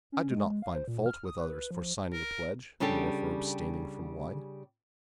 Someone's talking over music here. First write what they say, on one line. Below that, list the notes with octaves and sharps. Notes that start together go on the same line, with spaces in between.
I do not find fault with others for signing a pledge, nor for abstaining from wine.
C#4
G#3
G#3
F5
C5
A#2
F6
D#6
B4
F3
A#4
C#3 G3 D4 G4 A4